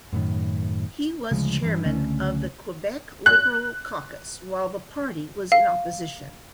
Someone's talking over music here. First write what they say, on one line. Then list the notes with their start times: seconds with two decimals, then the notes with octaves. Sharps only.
He was chairman of the Quebec Liberal caucus while the party was in opposition.
0.13 F#2 A2 D#3
1.32 D2 C#3 F3 G#3
1.62 G2 E3
1.85 C#2 D3 A3 C#4
3.26 F#6
5.52 F5